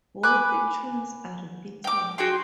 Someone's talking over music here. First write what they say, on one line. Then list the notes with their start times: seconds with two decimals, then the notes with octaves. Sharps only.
Both tunes are repeated.
0.23 G#5 B5 D6 F#6
1.84 G5 D6
2.18 F#4 G#4 G5 C6